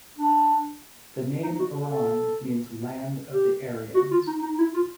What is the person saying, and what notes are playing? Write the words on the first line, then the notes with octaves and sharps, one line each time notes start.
The name "Iran" means "Land of the Aryans".
D4
D#4
F#4
A4
G4
F#4
F4
D#4
D#4
E4
F4